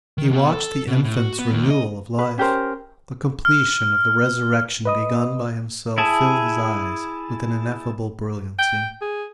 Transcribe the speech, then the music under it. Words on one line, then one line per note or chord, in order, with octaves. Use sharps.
He watched the infant's renewal of life; the completion of the resurrection begun by himself filled his eyes with an ineffable brilliancy.
D#3
B2
A4
B2
A2
F#4
B3
D#2
D#5
B4
C#4 G4 A#4 C5
F6
B4 D#5 D#6
E4 G#4 A5
G5
G#4